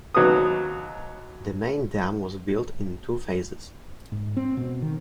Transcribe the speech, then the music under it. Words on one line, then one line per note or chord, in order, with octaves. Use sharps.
The main dam was built in two phases.
D#2 F#3 B3 D#6
G#2
C4
B2
D#3